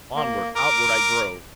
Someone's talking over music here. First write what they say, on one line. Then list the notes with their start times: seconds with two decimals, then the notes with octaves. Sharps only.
Onward, outward, I drove.
0.15 A#3
0.56 A#4 D6